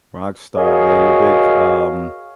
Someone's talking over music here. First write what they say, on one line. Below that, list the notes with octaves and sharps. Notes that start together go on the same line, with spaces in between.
Rockstar, man, you're big, um
F#4 G#4 A#4 C#5 D#5 F5